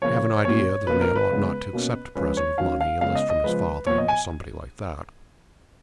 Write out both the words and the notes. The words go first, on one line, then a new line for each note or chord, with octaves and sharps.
I have an idea that a man ought not to accept a present of money, unless from his father, or somebody like that.
C#3 F3 A#3 C#4 C#5
A#2 F#3 A#3 C#4 C#5
B2 A#3 C#4 B4
A#4
B4
C#3 G#3 B3
B2 A#3 C#4
F3 G#3 C#4 B4
C#5
D#3 F#3 C#4 F5
F5
C#3 G#3 B3 F5
D#5
D#5
C#3 F3 G#3 B4
A#2 F3 B3 C#5
D#5
G#5